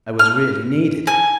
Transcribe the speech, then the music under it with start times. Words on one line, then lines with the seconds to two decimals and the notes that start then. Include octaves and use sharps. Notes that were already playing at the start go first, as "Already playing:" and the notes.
I was really needed.
0.19 F6
1.07 G#5